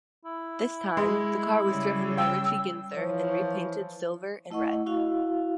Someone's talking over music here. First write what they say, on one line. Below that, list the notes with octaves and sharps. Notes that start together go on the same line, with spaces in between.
This time the car was driven by Richie Ginther and repainted silver and red.
E4
G#3
C#3 G3
G5 E6
E3 F3 C#5
A3 E4 D#5 F#5 C#6
E4 F#4 F5